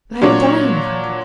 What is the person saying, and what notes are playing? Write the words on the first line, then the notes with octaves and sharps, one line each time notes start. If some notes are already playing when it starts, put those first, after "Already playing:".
But I am dying of hunger.
A#2 F#3 D4 C#5